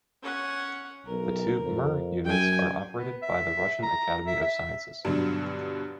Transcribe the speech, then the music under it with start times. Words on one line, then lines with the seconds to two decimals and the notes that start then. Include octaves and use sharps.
The two "Mir" units are operated by the Russian Academy of Sciences.
0.23 C#4 F#5
1.06 B1 A#4
1.60 F2
2.24 F#2 G5 G#5
2.94 B3
3.22 E5
3.83 A#5
4.27 E5
4.42 E5
5.05 G2 B2 D3 F#3